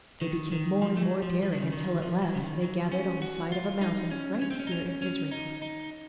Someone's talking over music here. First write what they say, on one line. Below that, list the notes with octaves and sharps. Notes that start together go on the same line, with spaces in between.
They became more and more daring, until at last they gathered on the side of a mountain right here in Israel.
D#3
D#3
F3
A3
F#3
F3
F3
D#3
C#3
D#3
F3
F#3
C#3
D#3
F#3
C#4
F#4
F4
D#4
C#4
C#4
C4
C#4
D#4
C#4
C#4
D#4
D#4